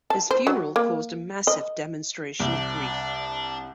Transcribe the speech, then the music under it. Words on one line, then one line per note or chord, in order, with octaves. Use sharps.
His funeral caused a massive demonstration of grief.
A5
C5
F#3
A#3
D#5
C2 D4